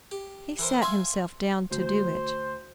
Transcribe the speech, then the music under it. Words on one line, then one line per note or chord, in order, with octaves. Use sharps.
He sat himself down to do it.
G4
E3 A#4 C5
E5 F5 G#5 C6 E6
D2 C5